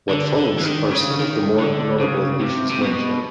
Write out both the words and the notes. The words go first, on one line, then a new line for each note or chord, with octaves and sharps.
What follows are some of the more notable issues mentioned.
D3
D3
E3
D#3
C#3
D#3
D3
C#3
C3
C3
B2